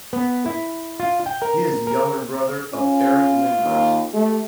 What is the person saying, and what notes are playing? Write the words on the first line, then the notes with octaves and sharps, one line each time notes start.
He is the younger brother of Eric Lindros.
B3
E4
F4
G5
A#4
A#4
C#4 F4
D#2
A3 G4